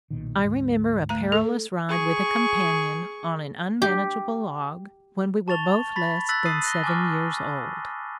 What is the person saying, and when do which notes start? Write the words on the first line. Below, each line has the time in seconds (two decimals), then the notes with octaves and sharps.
I remember a perilous ride with a companion on an unmanageable log, when we were both less than seven years old.
0.10 B1 A#2 D#3
0.44 D2 G#2
1.09 A3 A#5
1.32 A4
1.89 G#4 C#6
3.82 G4
5.48 A5 C#6 A6 F7 G7
5.96 B5 A6 B6
6.29 E6 F#6 A6 B6 F#7
6.45 D#6 C7 D#7
6.64 F#6 A#6 G7
6.84 G#5 A5 C#6 D6 F6